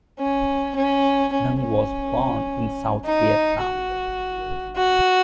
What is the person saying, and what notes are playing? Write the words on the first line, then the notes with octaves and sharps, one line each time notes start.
Dung was born in South Vietnam.
C#4
C#4
C#4
C#4
D#4
F#4
F#4